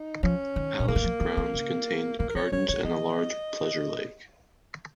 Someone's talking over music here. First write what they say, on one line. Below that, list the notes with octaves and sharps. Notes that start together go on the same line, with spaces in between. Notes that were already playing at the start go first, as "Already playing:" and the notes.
The palace grounds contained gardens and a large pleasure lake.
Already playing: D#4
F3 C#4
D#3
A#2
C#3 A#3
D#3
F3
D#3
D#3
C#3
D#3 A#3
A#4
D#3 C#5
F3 C#5
D#3 C#5
F3 D#5